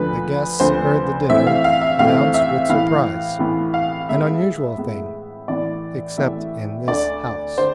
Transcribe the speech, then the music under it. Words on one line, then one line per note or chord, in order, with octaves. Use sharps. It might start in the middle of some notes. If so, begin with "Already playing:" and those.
The guests heard the dinner announced with surprise,--an unusual thing, except in this house.
Already playing: D2 D3 F3 B4
D2 D3 F3 C5
A2 E3 A3 C4 E5
F5
F5
E5
A2 E3 A3 C4 F5
E5
A2 E3 B3 F5
A2 E3 B3
F5
A2 G#3 B3 E5
A2 G#3 B3
A2 E3 B3 D5
A2 E3 B3 E5
D2 D3 A3 D5
D3 C5